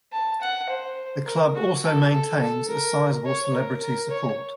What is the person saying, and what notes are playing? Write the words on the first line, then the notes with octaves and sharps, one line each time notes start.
The club also maintains a sizeable celebrity support.
A5
F#5
C5
A#4
F#4
A4
A4
A4
A#4
C#5
A#4
A#4
C#5